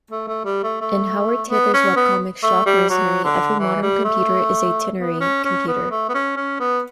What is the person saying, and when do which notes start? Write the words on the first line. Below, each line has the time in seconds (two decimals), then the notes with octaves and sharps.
In Howard Tayler's webcomic "Schlock Mercenary", every modern computer is a ternary computer.
0.11 A3
0.28 A3
0.45 G3
0.63 A3
0.81 A3
1.49 B3
1.74 C#4
1.96 B3
2.43 A3
2.66 G3
2.89 F#3
3.24 D3
3.59 E3
3.82 G3
4.04 A3
4.98 B3
5.20 C#4
5.44 C#4
5.67 B3
5.90 A3
6.08 B3
6.14 C#4
6.36 C#4
6.59 B3